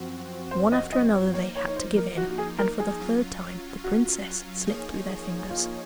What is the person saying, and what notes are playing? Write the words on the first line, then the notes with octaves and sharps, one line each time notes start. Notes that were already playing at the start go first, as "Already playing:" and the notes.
One after another they had to give in, and for the third time the princess slipped through their fingers.
Already playing: F#2 F3 C4 F#4
C5
D#5
D#5
C#5
F3 A#3 D#4 C#5
C#5
C#5
C5
A#4
F#4
F#4
G#4
A#4
G#4
F#3 C#4 F4
F#4
F3 A#3 D#4 G#4 C#5
F4